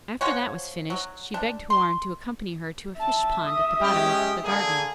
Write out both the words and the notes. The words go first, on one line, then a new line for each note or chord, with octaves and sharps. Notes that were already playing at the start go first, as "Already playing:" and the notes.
After that was finished, she begged Houarn to accompany her to a fish-pond at the bottom of the garden.
F3 F#4 C#5
F#3
D4
C6
E5 A5
D#6
G#3 C#4 G4
D3 A#3 G#4